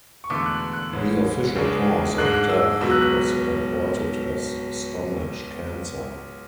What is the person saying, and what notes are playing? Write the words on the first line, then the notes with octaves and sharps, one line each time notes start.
The official cause of death was reported as stomach cancer.
C#6
E1 E2 D3 A3 D6
F#6
F#6
A1 G#2 G#3 C#4
C#2 C#3 G#3 D4
G#2 G#3 D4 F#6
F#6
E6
C#2 B2 F#3 E6
F#6
F#6